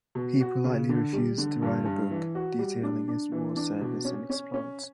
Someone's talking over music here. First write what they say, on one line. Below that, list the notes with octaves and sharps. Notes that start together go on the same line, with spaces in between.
He politely refused to write a book detailing his war service and exploits.
B2
F#4
C#3
D3
G3
D3
G2
G2
E3
F#4
G3
D4
D4
E3
D4
B2
C#4
C#4
C#4